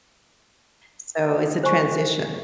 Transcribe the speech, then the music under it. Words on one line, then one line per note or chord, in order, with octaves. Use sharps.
So, it's a transition,
C5 G#5 C#6